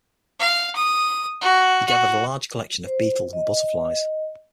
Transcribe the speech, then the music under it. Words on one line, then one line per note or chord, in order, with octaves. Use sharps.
He gathered a large collection of beetle and butterflies.
F5
D#6
F#4
F#4
C5
D#5